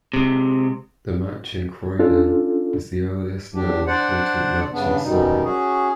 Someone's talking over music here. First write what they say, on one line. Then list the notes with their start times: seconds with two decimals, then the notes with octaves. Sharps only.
The match in Croydon is the earliest known important match in Surrey.
0.13 C3 G#3
1.99 C#4 D4 F4 A4
3.54 E2 D4 G4
3.87 D4 C5 D5 F#5
4.72 G2 C#3 B3 D4
5.03 F#2 B2 G3 D#4
5.44 C#4 F#4 G#4